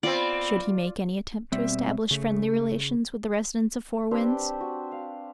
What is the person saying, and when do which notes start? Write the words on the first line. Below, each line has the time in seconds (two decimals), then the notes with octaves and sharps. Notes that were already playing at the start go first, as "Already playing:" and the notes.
Should he make any attempt to establish friendly relations with the residents of Four Winds?
0.03 B3 C4 F4 D5
1.52 B2 G3 C4 E5
2.11 C#3 A3
4.11 C4 D4 G4 B4
4.61 F#4
4.92 F5